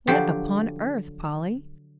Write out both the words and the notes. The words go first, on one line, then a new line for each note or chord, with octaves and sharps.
"What upon earth, Polly!"
D3 F3 F#3 G4